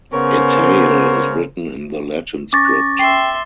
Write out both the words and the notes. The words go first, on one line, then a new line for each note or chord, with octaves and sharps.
Atayal is written in the Latin script.
C#3 B3 C#4 A#4 C5
C#4 C#6 D6 A6 A#6
E5 G5 C6 C7